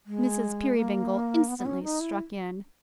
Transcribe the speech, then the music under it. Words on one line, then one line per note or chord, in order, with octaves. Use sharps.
Mrs. Peerybingle instantly struck in.
G#3
A#3
B3
B3
C#4
D#4
E4